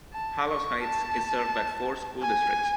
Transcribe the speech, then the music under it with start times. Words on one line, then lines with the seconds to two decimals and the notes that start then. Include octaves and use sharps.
Palos Heights is served by four school districts.
0.13 A5
0.48 C#6
0.82 A5
2.21 G#5